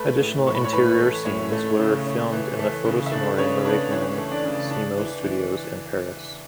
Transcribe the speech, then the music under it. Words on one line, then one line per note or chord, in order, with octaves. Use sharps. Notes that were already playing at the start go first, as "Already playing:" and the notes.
Additional interior scenes were filmed in the Photosonore-Marignan-Simo studios in Paris.
Already playing: A3 B4 B5
A2
A2 C#6
B5
C#5 C#6
E3 B4 B5
A3
A2 C#4 C#5
A3
C#3
C#4
E3
A3
C#3
E5
A3 D4 D5
B4
C#3 C#4 C#5
B3 D4 B4
E3 C#4 C#5
A3
D4 D5
C#3
D4
E3
E3